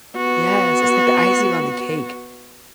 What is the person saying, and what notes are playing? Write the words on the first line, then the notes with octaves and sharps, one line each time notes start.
Yes, it's like the icing on the cake
B3 F#4